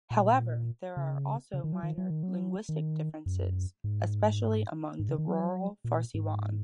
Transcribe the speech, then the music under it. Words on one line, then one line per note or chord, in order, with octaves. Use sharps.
However, there are also minor linguistic differences especially among the rural Farsiwan.
A#2
C#3
C#3
D#3
F#3
D#3
F#3
D#3
F#3
D#3
F#2
G#2
G#2
C#3
D#3
F#3
A#2
G#2